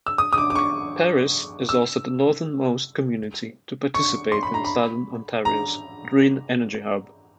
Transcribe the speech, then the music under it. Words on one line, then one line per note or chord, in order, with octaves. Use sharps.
Paris is also the northernmost community to participate in Southern Ontario's Green Energy Hub.
E6
D#6
D#6
D6
D6
C#6
E6
C#6
C6
B5
A#5
B5
A#5